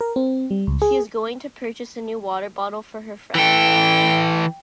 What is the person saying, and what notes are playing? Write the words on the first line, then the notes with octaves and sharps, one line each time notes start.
She is going to purchase a new water bottle for her friend.
A#4
C4
G3
C#2
G#4
E3 A4 G5